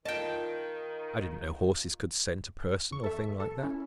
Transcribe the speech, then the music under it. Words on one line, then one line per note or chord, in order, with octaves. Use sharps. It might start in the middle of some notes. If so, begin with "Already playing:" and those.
"I didn't know horses could scent a person or thing like that."
D#3 D#4 F4 D#5 G5 A5
E2 C#6
A4 E5
A4
C#4 E4